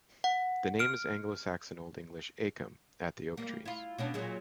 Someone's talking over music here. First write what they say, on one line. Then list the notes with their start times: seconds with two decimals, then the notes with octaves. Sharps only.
The name is Anglo-Saxon Old English "acum", 'at the oak trees'.
0.24 F#5
0.79 F6 D7
3.37 G3 A#3
3.65 E4 F4
3.98 B2 C#4 D4
4.14 A#2 F#3 G#3